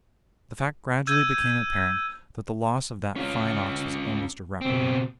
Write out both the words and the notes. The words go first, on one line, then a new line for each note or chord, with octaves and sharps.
The fact gradually became apparent that the loss of that fine ox was almost irreparable.
E6 G6 G#6 D#7
C#4 F4
B2 C4